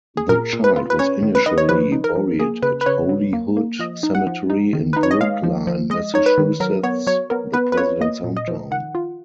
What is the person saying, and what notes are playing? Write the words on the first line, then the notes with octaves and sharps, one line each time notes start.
The child was initially buried at Holyhood Cemetery in Brookline, Massachusetts, the president's hometown.
G#4
A#2 A#4
A#2
B4
F4
B4
C#4 C#5
D#3
B4
D#3 D#5
C#5
F3 B4
D#4
A#4
F3
A#3 G#4
C#3 B4
B4
C#3 C#5
F#3
A#3
A#3
F3 D#5
D#4
F#5
F3
D#4
D#3
D#4 B4
C#5
D#5
G#3 F5
F3
F3
G#3 D#5
D#4 C#5
B4
D#3
F#3 A#4
B3 C#5
F#3 C#5
B3 A#4
B3 B4
B4
F4 C#5
A#3 D#5
A#2
D#5
F3
D#3 F#5
F4